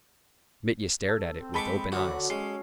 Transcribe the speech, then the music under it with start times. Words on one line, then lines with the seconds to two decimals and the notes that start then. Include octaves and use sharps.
Mitya stared at it with open eyes.
1.08 A4
1.38 C4
1.54 G#3 A5 B5 C#6 D6 B6
1.92 D3 F#3 F#4 D5 D#6
2.30 G#3 C#4 C7